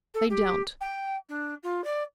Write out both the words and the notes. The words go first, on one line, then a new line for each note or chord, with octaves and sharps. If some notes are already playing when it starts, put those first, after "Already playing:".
They don't.
A4
G4
G5
D4
F4
D5